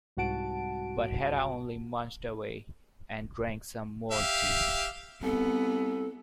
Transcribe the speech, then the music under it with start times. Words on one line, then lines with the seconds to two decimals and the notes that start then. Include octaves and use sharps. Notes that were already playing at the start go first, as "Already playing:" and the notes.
But Hatta only munched away, and drank some more tea.
0.17 C2 G#2 F#4 F#5 A5 D7
4.11 G4 E5 F5
5.23 C2 B3 A4